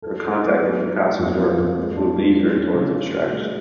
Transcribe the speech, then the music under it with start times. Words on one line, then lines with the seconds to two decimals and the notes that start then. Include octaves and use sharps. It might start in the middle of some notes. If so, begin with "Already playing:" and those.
Her contact with Picasso’s work will lead her towards abstraction.
0.02 A4
0.23 A4
0.42 B3
0.61 F#3
0.80 F#4
1.00 F#3
1.19 F2
1.39 F3
1.58 F2
1.78 G#3
1.97 D4
2.17 F4
2.36 F#3
2.55 C#4
2.75 C#3
2.94 F#4
3.13 F#4
3.32 G#3